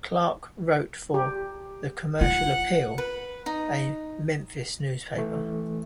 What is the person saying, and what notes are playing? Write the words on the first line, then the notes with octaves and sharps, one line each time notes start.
Clark wrote for "The Commercial Appeal", a Memphis newspaper.
G4
F4 F#5
B4
D#4
E3 A3